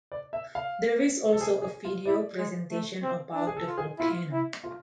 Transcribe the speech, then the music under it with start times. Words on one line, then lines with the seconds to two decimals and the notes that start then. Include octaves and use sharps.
There is also a video presentation about the volcano.
0.12 D5
0.33 E5
0.55 F5
1.33 A4
1.41 G#4
1.62 G#4
1.85 F4
2.05 E4 D5
2.38 G#3
2.70 A3
3.02 C4
3.34 D4
3.47 G#4
3.57 A4
3.67 F4
3.78 G#4
3.99 E4 F4
4.32 E4
4.64 F4